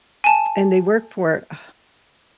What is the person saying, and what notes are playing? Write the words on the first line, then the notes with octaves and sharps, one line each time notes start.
and they work for, ugh,
G#5 A5